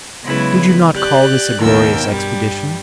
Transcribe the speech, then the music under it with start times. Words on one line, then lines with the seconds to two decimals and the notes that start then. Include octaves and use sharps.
Did you not call this a glorious expedition?
0.25 C#3 F#3 G#3 B3 E4 B4
0.94 G4 D5 F#6
1.61 D#2 B2 A#4 G5 E6
2.08 G2 G3